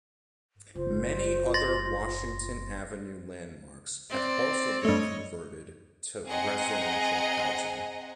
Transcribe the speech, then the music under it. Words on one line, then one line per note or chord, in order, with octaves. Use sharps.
Many other Washington Avenue landmarks have also been converted to residential housing.
F#1 F4 C5
C6 A6 A#6
C4 D5
G2 A3 C#5 D#5
C4 G#4 D#5 F#5 G#5 A#5